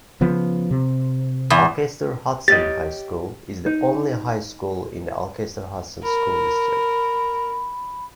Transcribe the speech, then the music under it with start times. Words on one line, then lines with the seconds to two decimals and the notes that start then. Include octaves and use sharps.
Alcester-Hudson High School is the only high school in the Alcester-Hudson School District.
0.21 C#3 F3 B3
0.71 C3
1.50 E2
2.48 G4 C#5 D#5 A6
3.66 D#4
6.03 A#4 B5